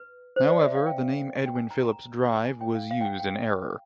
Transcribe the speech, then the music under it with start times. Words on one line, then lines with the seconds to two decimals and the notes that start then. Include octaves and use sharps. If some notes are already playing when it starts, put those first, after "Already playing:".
However the name "Edwin Phillips Drive" was used in error.
Already playing: B4
0.36 C5
0.50 D5
0.66 E5
0.75 F5
0.86 G5
1.46 G5
1.55 G#5
1.71 A#5
1.85 A#5
2.45 G#5
2.61 G5
2.75 F5
2.91 F5
3.01 G5
3.05 F#5
3.19 G5